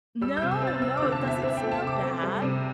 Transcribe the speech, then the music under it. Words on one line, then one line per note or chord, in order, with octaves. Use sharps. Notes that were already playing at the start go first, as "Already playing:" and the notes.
No, no, it doesn't smell bad,
G3 E6
G6
C3
E6
C4
A6
C4 E6
D6
D3
A5
E2
E5
C4
E5
G5
A3
A5
C3
D6
C4
G3
C3